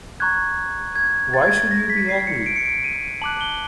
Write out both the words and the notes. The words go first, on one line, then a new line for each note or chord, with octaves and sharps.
Why should you be angry?
A#5 C#6 F#6 G#6
G#6
A6
G#6
A6
A#6
B6
C7
C#7
D7
C#7
D7
D#7
A5 D6 F#6 F#7
G7